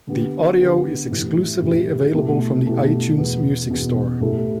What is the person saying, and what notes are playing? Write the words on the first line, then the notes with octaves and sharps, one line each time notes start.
The audio is exclusively available from the iTunes Music Store.
D3 B3 G4
D3 B3 G4
A2 E3 G3
A2 E3 G3
B2 A3 E4 G4
B2 A3 E4 G4
E2 B2 B3
E2 B2 B3
A2 G3 E4 A4